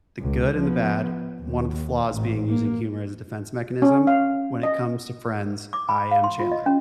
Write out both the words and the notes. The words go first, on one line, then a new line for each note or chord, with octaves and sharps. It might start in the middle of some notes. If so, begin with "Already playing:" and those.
the good and the bad one of the flaws being using humor as a defense mechanism, when it comes to Friends, I am Chandler.
C#2
F3 B3
D#2
A1
A#3
C#4
F5
D#5
D6
B5
F5
C6
F4
D#5
C#4